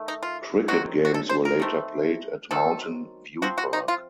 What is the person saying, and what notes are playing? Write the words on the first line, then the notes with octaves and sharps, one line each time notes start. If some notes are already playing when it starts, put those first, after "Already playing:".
Cricket games were later played at Mountain View Park.
Already playing: D#3 A3
D#4
F4
D#3 F#3 C4 F#4
F#4
A4
C5
A#4
D#3 A3 C4
D#3 F#3 C4 A4
F3 C4 F#4
F#4
D#4
F4